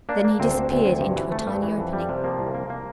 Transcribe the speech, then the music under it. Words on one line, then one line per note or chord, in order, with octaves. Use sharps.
Then he disappeared into a tiny opening.
A#3 D4
A#3
D2 C4
D2
D2
D2
G2
E3
A3
G2
E3
F2
G3
C3
F3 A#3
C2
A#3
A#3